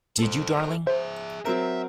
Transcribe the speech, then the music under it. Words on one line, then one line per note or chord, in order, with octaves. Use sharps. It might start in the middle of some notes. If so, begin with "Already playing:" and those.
Did you, darling?
A4 C5
G#4 C5 E5
F#3 C4 A#4 E5